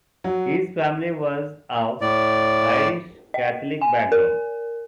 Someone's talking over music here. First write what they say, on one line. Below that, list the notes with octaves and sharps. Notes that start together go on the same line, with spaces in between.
His family was of Irish Catholic background.
F#3
A2 D5
D#5
G#5
A#4